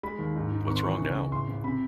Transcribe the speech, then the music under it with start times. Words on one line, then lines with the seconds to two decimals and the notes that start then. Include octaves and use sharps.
What's wrong now?
0.03 G#3 B5
0.19 D#2
0.35 G#2
0.52 G#2
0.67 G#1 C#6
0.76 C6
0.84 E3 C#6
1.00 C#2
1.15 C#3
1.31 A1 C6
1.48 A1
1.64 C3 B5